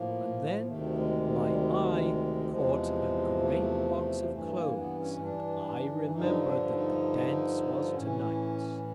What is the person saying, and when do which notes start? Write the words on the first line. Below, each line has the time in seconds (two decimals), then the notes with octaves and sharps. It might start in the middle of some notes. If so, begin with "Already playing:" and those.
And then my eye caught a great box of clothes, and I remembered that the dance was to-night.
Already playing: A2 F3 A#3
0.66 D2 C3 D#3 A3
0.97 G#3
1.27 G#3
1.50 G3
1.58 G#3
2.48 E2 C3 F3 G#3
3.40 A3
4.31 G2 E3 A3
4.53 A#3
4.76 B3
4.99 C#4
5.22 D4
6.13 G2 D3 F3 D#4
6.43 D4
6.68 D4
6.73 D#4
7.95 A2 E3 C#4